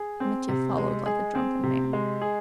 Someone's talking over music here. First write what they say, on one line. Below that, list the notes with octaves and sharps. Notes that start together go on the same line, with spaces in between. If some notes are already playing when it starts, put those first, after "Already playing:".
Mitya followed like a drunken man.
Already playing: G#4
C4
C3
G#3
G#4
C4
C3
G#3
G#4